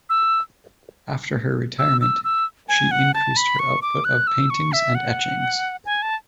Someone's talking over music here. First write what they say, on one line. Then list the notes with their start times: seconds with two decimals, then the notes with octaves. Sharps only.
After her retirement she increased her output of paintings and etchings.
0.10 E6
1.79 E6
2.01 E6
2.24 E6
2.68 G#5
2.91 F#5
3.14 A5
3.37 B5
3.59 C#6
3.82 D6
4.05 F#6
4.27 E6
4.50 C#6
4.72 E5
4.95 F#5
5.85 G#5
6.02 A5